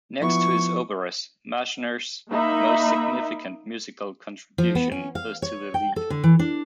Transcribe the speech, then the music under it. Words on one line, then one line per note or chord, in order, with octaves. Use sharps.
Next to his operas, Marschner's most significant musical contribution is to the Lied.
F3 B3 E4 C#6
A#3 D#4 E5 B5
F3
B3
C#4
F5
C#5
G5
A4
D3
E3
D4